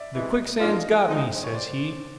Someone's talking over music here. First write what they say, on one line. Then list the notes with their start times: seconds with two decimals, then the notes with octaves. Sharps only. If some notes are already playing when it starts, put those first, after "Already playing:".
The quicksand's got me,' sez he.
Already playing: D5 E5
0.12 C3 E3 G#3
0.60 G#2 F3 A#3 D4 F4 D#5 F5
1.07 F3 G#3 C4 D#4
1.35 C5
1.44 C#5
1.53 C5 D5